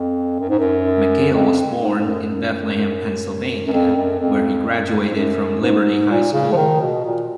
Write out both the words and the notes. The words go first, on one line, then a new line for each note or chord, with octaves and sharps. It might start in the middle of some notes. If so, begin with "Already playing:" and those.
McHale was born in Bethlehem, Pennsylvania, where he graduated from Liberty High School.
Already playing: F2
F#2
G#2
F#2
F2
G#2
G#2
F#2
F#2
F#2
F2
F#2
F2
F#2
G#2
F#2
G#2
A#2
C#3
F3
D#3
B2
A#2